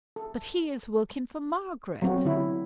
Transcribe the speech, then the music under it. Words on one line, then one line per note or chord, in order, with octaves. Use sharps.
"But he is working for Margaret."
A4
F#3 B3 C4 F#4
D3 E4